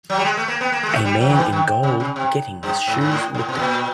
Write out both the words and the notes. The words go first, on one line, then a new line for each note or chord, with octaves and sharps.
A man in gold getting his shoes looked at.
F#3
G3
G#3
A3
A#3
B3
A#3
G#3
A3
G3
F#3
D#3
E3
D#3
C#3
C#3
C3
G2
G#2
G#2
A2
A2
B2
A#2